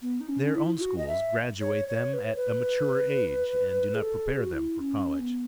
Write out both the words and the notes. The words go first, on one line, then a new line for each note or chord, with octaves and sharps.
Their own schools graduate them at a mature age and do not prepare them for college.
B3
D#4
C#4
E4
E4
F#4
D#5
E5
C#5
C#5
B4
C#5
B4
G#4
A4
G#4
F#4
E4
C#4
B3